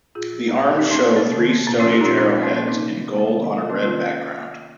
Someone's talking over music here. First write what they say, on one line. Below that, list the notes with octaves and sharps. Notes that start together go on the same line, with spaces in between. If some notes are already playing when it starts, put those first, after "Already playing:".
The arms show three Stone Age arrowheads in gold on a red background.
A#2 F4 G#4
F3
A#2
A#2 D#4 G4
F3 C4 D#4
A#3 C#4
A#2
C3 A#3
D#3
A#3
C3
A#2 A#3
F3 C#4 F4
D#4 G4
A#2 C#4 F4
A#2 C4 D#4
F3 C4
A#3 C#4
A#2
A#3 C#4
C3 C4 D#4
D#3
C3
C3 A#3
D#3
C4
C3
C3 A#3 C#4
D#3 C#4 F4